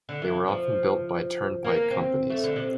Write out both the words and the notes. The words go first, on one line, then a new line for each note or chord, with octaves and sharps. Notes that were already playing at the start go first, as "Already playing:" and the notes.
They were often built by turnpike companies.
D3
E3
F3
A#3
C4
A3
D3
C3